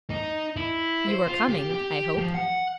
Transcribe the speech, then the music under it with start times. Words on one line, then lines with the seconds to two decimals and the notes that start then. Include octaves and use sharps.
'You are coming, I hope?'
0.10 D#4
0.57 E4
1.09 C5
1.28 F4
1.50 G4
1.71 G4
2.18 F3
2.34 F#5